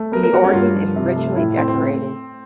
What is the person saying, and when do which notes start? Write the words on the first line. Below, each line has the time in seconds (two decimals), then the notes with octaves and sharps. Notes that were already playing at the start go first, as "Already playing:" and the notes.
The organ is richly decorated.
Already playing: A3
0.12 B3 A#4
0.23 A#4
0.33 G3 F#4
0.44 C#4
0.53 G2 F4
0.75 F3
0.96 C3
1.16 A3
1.36 A2 E4
1.57 A3 C4
1.68 C4